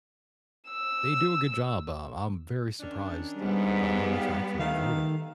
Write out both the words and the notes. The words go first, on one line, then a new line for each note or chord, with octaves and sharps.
They do a good job, um, I'm very surprised a about how much I actually enjoyed it.
E6
D#3 C#4 D4
G#2 G3 B3
G4 F5
D#3 A3 D#4 F5